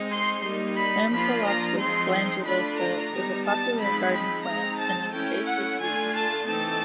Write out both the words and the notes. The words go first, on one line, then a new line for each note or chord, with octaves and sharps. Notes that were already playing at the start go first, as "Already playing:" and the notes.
"Ampelopsis glandulosa" is a popular garden plant and an invasive weed.
Already playing: G#3 C4 D#4
C6
G3 A#3 D#4
B5
F3 A#3 D4 F4 B5
A#5
F3 G#3 C4 D#4 C6
A3 D4 F4 B5
A#5
G3 B3 D#4
A5
F3 G#3 C4 D#4 B5
B5
G#3 C4 D#4 A#5
A5
A3 C#4 E4 G5
F#5
A3 D4 F4 G#5
A5
E3 A3 C4 D#4 A5